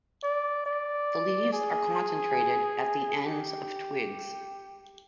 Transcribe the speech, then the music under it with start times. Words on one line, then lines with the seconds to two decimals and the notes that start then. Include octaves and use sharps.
The leaves are concentrated at the ends of twigs.
0.23 D5
0.66 D5
1.52 G#4
3.25 G4